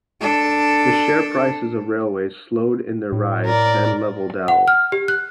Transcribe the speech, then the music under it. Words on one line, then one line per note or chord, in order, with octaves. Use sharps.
The share prices of railways slowed in their rise, then levelled out.
D4 A4
A2
A#4 D5
F#5
F6
G4
F#6